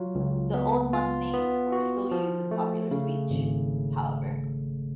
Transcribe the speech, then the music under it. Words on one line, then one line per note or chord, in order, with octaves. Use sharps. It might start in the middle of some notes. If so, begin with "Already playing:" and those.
The old month names were still used in popular speech, however.
Already playing: F#3 F4
C#2
B3
F4
B3
F#4
F3
A3
C#3
G#1